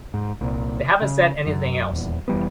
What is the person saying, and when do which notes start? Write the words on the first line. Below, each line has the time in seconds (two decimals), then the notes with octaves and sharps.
They haven’t said anything else.
0.14 G#2
0.41 C2 A#2
1.02 C#3
1.46 F#2
1.91 D#1 E2
2.28 F1 E3 G3 B3